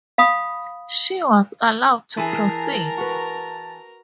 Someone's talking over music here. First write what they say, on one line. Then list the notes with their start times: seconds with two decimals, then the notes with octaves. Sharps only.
She was allowed to proceed.
0.18 F5 B5 D#6
2.17 E3 G#4 A#4 A5 A#5
2.97 F#4 B4